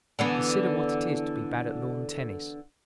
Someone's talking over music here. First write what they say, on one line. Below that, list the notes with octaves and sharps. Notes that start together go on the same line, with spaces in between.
Consider what it is to be bad at lawn tennis.
D3 E3 B3